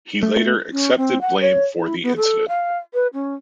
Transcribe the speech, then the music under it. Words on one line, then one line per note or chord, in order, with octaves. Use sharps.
He later accepted blame for the incident.
A3
C#4
C4
F#5
C#5
E4
B3
A4
F5
B4
C#4